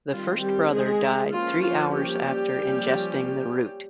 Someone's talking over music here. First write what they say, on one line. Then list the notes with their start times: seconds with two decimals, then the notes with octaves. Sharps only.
The first brother died three hours after ingesting the root.
0.12 D#3 G3 C4 F4
0.41 G3 G4
0.72 G#3 G#4
1.32 F3 A#3 C#4 F4
1.62 F4
1.93 G3 G4
2.53 F3 A#3 C#4